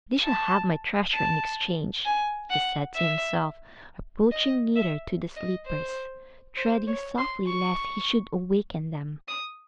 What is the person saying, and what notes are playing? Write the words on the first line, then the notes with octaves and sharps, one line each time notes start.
"They shall have my treasure in exchange," he said to himself, approaching nearer to the sleepers, treading softly lest he should awaken them.
A5
A5
G#5
F#5
E5
D#5
E5
D#5
C5
C5
C#5
C6
C#6
D#6